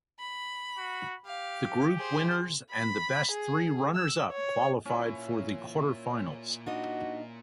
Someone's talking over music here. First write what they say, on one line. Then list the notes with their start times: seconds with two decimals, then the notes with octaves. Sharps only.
The group winners and the best three runners-up qualified for the quarterfinals.
0.19 B5
0.78 F#4
1.26 G4 F5
1.96 G#4 C5
2.71 B5
3.31 G#4
3.95 E6
4.32 C#5
4.86 A#3 C#4 E4 F4
6.66 D4 D#4 F#4 D#5